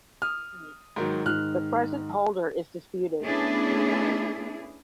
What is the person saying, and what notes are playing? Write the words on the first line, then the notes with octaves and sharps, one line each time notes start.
The present holder is disputed.
D#6 F6
G#2 D#3 F#3
G#2 D#3 F6 F#6
A3 B3 C#4 D4 E4 G#4